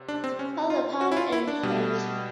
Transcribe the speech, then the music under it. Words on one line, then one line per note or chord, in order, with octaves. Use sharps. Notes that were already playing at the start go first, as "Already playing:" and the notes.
All the pomp and pleasure.
Already playing: C3
D4
C4
C#4
F4
F#4
E4
F4
E4
D4
B2 G3